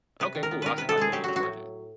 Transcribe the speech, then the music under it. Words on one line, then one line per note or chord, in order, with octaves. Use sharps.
okay, cool I I stay in Georgia.
C3 B4
D#3
A#4
B3
D#3 A#4 B4
C3 B4
A4
G#3 G#4
F#3 G4
F#3 F#4
F#4
A2